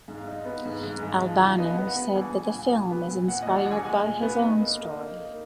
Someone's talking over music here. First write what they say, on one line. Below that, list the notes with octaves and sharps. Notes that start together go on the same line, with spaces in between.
Albano said that the film is inspired by his own story.
G#2
F5
D#4
B3
G#2
G#2
G#2
F3
F3
B3 D#5
B3
F#5
B3
A#1 G#5
A#1
G#5
A#2
A#1
B3
A#2
A#2 F#5
D#5
A#1
F#5
A#1
G#5
G#3 G#5
A#2
B3
D#4
A#3
A#3
D#4
A#3